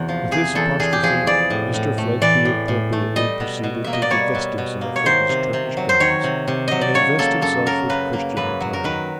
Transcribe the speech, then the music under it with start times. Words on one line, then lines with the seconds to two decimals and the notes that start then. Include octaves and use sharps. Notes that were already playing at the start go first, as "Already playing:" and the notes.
With this apostrophe Mr Fledgeby appropriately proceeded to divest himself of his Turkish garments, and invest himself with Christian attire.
Already playing: E2 C3 F#4
0.09 F3
0.31 C3 G#4
0.55 E2 A4
0.80 E2 G#4
0.93 G4
1.03 F3 G#4
1.27 E3 D5
1.50 A2
1.74 A2
1.98 A3
2.22 E3 D5
2.45 A2
2.68 A2
2.93 A3
3.16 G3 D#5
3.40 B2
3.63 B2
3.84 A#3 E5
3.93 D#5
4.02 D5
4.10 G3 C#5
4.35 B2
4.58 B2
4.81 A#3
4.96 C#5
5.05 D#3 C5
5.29 C3
5.53 C3
5.77 F#3
5.89 C5
6.00 D#3 C#5
6.24 C3
6.48 C3
6.68 F#3 D#5
6.81 D5
6.94 C#3 C#5
7.19 A#3 A4
7.42 F#2 A4
7.66 F#3 A#4
7.89 C#3 B4
8.13 A#3
8.37 F#2 B4
8.61 F#3
8.73 A#4
8.84 D#3 B4